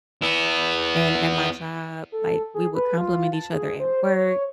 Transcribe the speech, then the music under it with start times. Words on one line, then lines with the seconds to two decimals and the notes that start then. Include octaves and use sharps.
and at my job, like, we would compliment each other at work,
0.22 B3 E4
2.12 A4
2.54 G#4
2.75 B4
2.98 F4
3.33 A5
3.53 G#4
3.80 C5
4.04 C#5
4.16 C#5